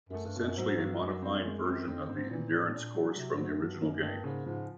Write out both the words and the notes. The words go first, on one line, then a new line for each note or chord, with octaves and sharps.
It was essentially a modified version of the Endurance Course from the original game.
F#2
A3
G2
B2
F#2
G#2 F#3
G2 F#3
F#2 F#3
C4
G#3
C4
F2 C4
G#2 C4
A#2 E3
A2 D4
A#2 D4
F#3
C3 F#3
G#2 F#3
F#2
G2 F#3
F#2 A#3
G2 A#3
G#2 C#3
G#2 F3